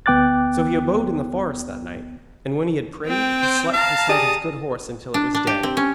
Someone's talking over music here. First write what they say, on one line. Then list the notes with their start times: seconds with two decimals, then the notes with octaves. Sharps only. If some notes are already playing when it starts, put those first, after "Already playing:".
So he abode in the forest that night, and when he had prayed he slept beside his good horse until it was day.
0.06 D2 B3 G5 D6 F#6 A6
3.05 C4 G5
3.41 C5
3.73 F5 A5 A#5
4.09 G4 G#4 D5 D#6
5.14 D4
5.34 D4
5.47 G4
5.63 C4
5.77 C#4